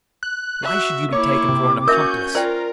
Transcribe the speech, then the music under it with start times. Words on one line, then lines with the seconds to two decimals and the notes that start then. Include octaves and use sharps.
"Why should you be taken for an accomplice?"
0.23 F#6
0.63 F#4 E5
1.12 A#3 E4 C#5 D6
1.48 C3
1.88 C#4 F#4 A#4 E5 G6
2.35 F4 A#4 C5 D5 G5